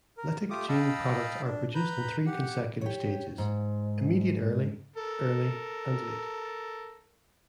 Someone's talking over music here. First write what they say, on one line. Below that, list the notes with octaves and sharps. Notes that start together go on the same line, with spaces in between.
Lytic gene products are produced in three consecutive stages: immediate-early, early, and late.
A#4
A3 F4 G4 D6 D#6
D#5 F5 G5 A5 B5 E6
D4
B4 A#5 B5 G6
G4 F#5
G4 C#5
G#2
A4 A#4